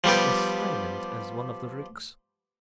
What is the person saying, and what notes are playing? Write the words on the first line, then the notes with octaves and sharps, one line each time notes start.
It was silent as one of the ricks.
F3 G3 B3 G4